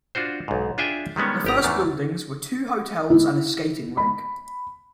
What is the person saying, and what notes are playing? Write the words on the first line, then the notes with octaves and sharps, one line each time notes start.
The first buildings were two hotels and a skating rink.
D4 F4 F#4 C5
B1 G#2
D4 F4 G#4 E5 G5 G#5
D#3 G3 G#3 B3 C#4
G#1 G4 A#5
E2 D#3 E3 A3
E4
B5